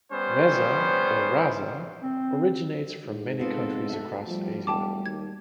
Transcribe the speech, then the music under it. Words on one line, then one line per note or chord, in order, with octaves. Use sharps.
"Reza" or "Raza" originates from many countries across Asia.
G3 B3 C#4 C5
C4
G#2
B3 C4 F4 A4
A3 F#4 E5
F3 G3
E1 G5 A5 D6
D#2 G#6